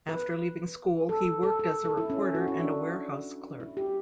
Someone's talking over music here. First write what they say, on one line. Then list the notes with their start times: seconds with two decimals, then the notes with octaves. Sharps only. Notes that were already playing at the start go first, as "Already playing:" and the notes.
After leaving school, he worked as a reporter and a warehouse clerk.
0.09 B4
1.09 A4
1.43 A4
1.59 A4
1.85 A4
1.97 E4
2.10 C#4
2.35 F#4
2.48 E4
2.59 D4
3.60 E4
3.77 G4